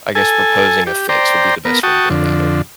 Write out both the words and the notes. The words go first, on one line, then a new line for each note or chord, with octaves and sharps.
I guess proposing a fix would be the best way to go about it.
A4 G#5
G4
C5 D5 G5 A#5
B3 A#4
F#4 G5 A5 C#6 D#6
F2 D3